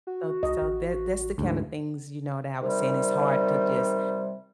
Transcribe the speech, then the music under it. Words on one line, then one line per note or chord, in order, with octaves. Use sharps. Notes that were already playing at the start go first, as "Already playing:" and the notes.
So ts so that's the kind of things, you know, that I was saying. It's hard to just,
F#4
C2 D#5
A1
D2 G#2
C3 D#3 G3